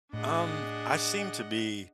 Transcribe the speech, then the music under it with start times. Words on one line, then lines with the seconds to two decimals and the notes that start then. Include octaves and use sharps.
Um, I seem to be,
0.13 A2 D4 G#4 D#5 F#5